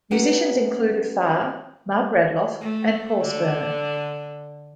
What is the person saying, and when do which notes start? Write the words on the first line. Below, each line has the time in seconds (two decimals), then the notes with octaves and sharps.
Musicians included Farr, Mark Radloff and Paul Sperman.
0.11 B3 C#4 D#4 G4 B4 F#5
2.61 A3
3.24 D3